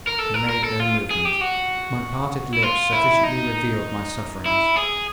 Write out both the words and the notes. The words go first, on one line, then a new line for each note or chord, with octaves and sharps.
He made no movement. My parted lips sufficiently revealed my sufferings.
A#4
A4
A#4
A#4
A4
F4
G#4
G4
F#4
E4
F4
E4
D#4
E4
G#4